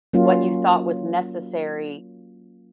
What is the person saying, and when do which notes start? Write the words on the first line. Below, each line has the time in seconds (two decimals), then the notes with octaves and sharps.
what you thought was necessary,
0.13 F#3 A#3 C#4 F4